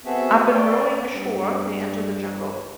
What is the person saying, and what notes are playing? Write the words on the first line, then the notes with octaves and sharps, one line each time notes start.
Upon rowing ashore, they enter the jungle.
B3 C4 F#4 G#4 A4 E5
C#5 D5 G5
G2